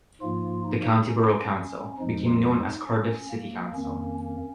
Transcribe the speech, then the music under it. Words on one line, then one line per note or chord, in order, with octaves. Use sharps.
The county borough council became known as Cardiff City Council.
G#2 F3 A#3 F4
D#4
C#4
C#4
F2 F3 G#3 D#4
F4
D#4
C#4
A#3
F2 D#3 A#3 C#4
C#4